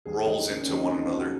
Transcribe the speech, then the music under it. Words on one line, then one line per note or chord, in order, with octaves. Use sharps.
rolls into one another.
D#2 G#4
D#2 D#4
C#3 A#3
C#4
D#2
D#4
F3 D#4
F4
F3
F#4